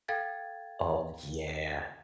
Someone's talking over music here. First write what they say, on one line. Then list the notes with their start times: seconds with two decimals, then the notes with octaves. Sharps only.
Oh, yeah.
0.08 A4 F5 G5 G#6 A6